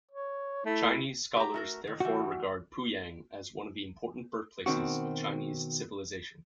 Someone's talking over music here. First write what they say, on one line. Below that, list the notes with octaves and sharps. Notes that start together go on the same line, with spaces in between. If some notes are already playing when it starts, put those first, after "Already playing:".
Chinese scholars therefore regard Puyang as one of the important birthplaces of Chinese civilization.
C#5
A3 E4
G4 A#5
A3 F#4 A#4
D#3
E3 G3 F#4
B2 D#3 C4 F#4